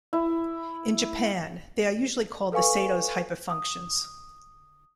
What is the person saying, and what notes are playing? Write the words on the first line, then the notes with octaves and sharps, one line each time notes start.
In Japan, they are usually called the Sato's hyperfunctions.
E4
A4 B4 F5 G#5 C#6
D#6